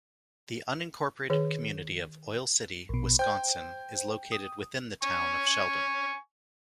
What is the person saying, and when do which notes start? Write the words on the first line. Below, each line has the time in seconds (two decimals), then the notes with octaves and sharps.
The unincorporated community of Oil City, Wisconsin is located within the town of Sheldon.
1.30 D#3 G#4 C#5
2.89 A#1 B2
3.19 C5 G5 G6
4.32 D#6
5.03 G#5 C#6